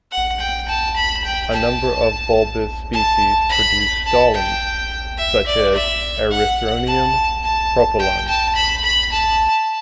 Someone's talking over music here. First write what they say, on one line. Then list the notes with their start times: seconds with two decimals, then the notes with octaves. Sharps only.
A number of bulbous species produce stolons, such as "Erythronium propullans".
0.11 F#5
0.40 G5
0.68 A5
0.96 B5
1.24 G5
1.53 A5
2.93 A5
3.49 B5
4.06 A5
4.34 G5
5.17 E5
5.46 D5
5.74 E5
6.31 F#5
6.87 A5
7.43 A5
7.99 G5
8.28 A5
8.55 B5
8.84 B5
9.12 A5